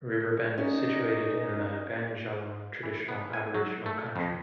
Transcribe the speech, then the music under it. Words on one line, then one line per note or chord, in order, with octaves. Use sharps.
Riverbend is situated in the Bundjalung traditional Aboriginal country.
E2 C#4 D#4 A#4 D5 D#5
E3
B3
G#5
F#3
A3
F2